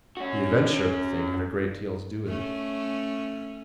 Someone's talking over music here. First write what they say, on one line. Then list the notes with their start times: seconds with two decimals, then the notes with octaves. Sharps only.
"The adventure of the thing had a great deal to do with it."
0.17 C#4 F#4
2.27 A3 C#4